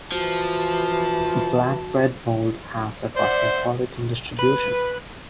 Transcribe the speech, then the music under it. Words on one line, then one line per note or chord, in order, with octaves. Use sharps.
Black bread mold has a cosmopolitan distribution.
E3 F3 F#4 A5
C5 D5 E5 F#5
B4